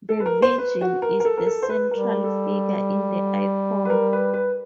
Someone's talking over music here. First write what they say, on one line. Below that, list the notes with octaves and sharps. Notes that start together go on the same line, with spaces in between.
The Virgin is the central figure in the icon.
A4
B4
A#4
C5
B4
F#4
A#4
A#4
A4
A#4
A4
C5
B4
G3 A#4
A4
B4
A#4
B4
B4